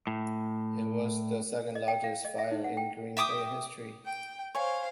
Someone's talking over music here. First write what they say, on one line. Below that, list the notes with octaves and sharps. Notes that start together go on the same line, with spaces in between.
It was the second largest fire in Green Bay history.
A2
D#5
G5
F5
D#5
E5
D#4
F#5
G5
E5 G5 D6 D#6
G5
C5 C#5 F5 G#5